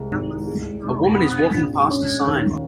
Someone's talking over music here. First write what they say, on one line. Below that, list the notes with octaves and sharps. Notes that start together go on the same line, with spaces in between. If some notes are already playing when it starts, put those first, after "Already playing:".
A woman is walking past a sign.
Already playing: C2 G#3
G#1
G#3
F1
C4
A#1
C#4
D#2